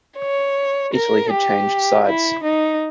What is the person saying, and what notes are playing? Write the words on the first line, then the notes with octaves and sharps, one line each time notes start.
Italy had changed sides.
C#5
A#4
G4
E4
D#4